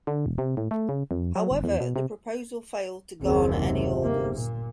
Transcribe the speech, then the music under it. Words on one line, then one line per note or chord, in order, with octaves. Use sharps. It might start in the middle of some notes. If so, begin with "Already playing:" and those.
However, the proposal failed to garner any orders.
D3
E1
C3
A2
A3
C#3
F2
F#3
G1
E2
B2
C3
F#1 D#2 C4 G#4
G#2 C3
G1 A#3
A#2